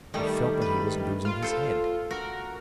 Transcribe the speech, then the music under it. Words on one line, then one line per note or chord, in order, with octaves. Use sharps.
He felt that he was losing his head.
D#3 G3 A3
B4
F4
A4 C5
F#4 A#4